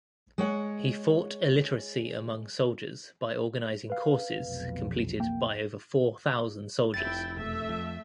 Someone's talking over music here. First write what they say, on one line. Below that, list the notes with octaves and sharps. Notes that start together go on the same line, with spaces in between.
He fought illiteracy among soldiers by organizing courses completed by over four thousand soldiers.
G#3 C#5 F#5
B4 F5
F1 B1
A#3 G5
F1 E4 G5 A6
E1 A3 E5
F2